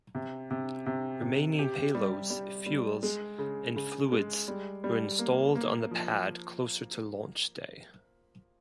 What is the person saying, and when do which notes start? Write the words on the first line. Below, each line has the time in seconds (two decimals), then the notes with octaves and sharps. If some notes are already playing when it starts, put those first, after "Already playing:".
Remaining payloads, fuels and fluids were installed on the pad closer to launch day.
0.15 C3
0.50 C3
0.86 C3
1.22 C3
1.59 G4
1.95 G3
2.30 G3
2.66 G3
3.03 G#3
3.38 C#3
3.76 C#3
4.12 G#3
4.48 G3
4.84 G3
5.19 A#3
5.55 A#3
5.91 F3